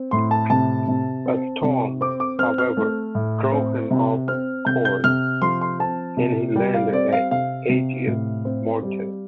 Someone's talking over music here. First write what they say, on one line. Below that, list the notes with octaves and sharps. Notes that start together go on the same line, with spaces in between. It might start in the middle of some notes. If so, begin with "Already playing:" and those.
A storm, however, drove him off course, and he landed at Aigues-Mortes.
Already playing: C4
A2 C6
A5
C3 A5
C3
C4
C3
C4 D6
D6
C4 F6
F6
A3
A2
C4
C3
C4 F6
C3 G6
G6
C3 F6
F3 C6
C6
C4 A5
C3
G3 G5
F5
C4 D5
F5
C3 F5
C3
A2
C4
G3